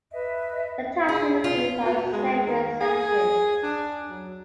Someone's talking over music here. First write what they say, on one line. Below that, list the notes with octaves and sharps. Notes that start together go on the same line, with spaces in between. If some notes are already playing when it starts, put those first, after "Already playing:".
The township includes Our Saviors Cemetery.
B4 D#5 E5
G#4
F4
B2
G#3
D#3
G#4
D4
F#3